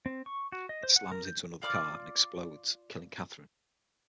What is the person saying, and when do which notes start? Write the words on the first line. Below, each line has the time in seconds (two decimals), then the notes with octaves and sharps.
It slams into another car and explodes, killing Kathryn.
0.06 C4
0.26 C#6
0.52 F#4
0.69 D#5
0.83 C5
0.96 F#5
1.11 A#4
1.25 G6
1.62 F4 D5 D6 F6